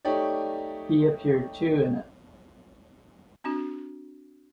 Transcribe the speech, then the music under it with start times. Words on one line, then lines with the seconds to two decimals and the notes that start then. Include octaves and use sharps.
He appeared too in It!
0.05 A3 D#4 G4 C#5 D5
3.44 C4 D4 F#4